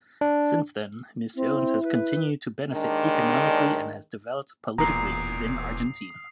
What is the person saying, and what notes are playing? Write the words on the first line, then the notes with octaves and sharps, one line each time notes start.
Since then, Misiones has continued to benefit economically and has developed politically within Argentina.
D4
C4 E4
B4
D#2 D#3 G#3 D4
E1 E2 A#2 A#5 D#6 C7